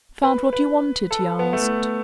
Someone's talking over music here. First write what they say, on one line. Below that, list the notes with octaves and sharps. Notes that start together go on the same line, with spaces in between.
"Found what you wanted?" he asked.
B4
B4
A4
B3
A3